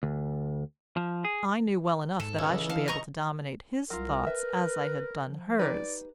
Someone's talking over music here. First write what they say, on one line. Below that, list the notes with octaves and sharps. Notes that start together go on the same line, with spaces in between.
I knew well enough that I should be able to dominate his thoughts as I had done hers.
D2
F3
G#4
G#2 A4
C#2 C#5 E6 G#6
C#3 E3 E4
A4 F5
D#5 A#5 C#6
C2 F#3 F4 A#4
B4 E5
F3
D#4 G4 B4 D5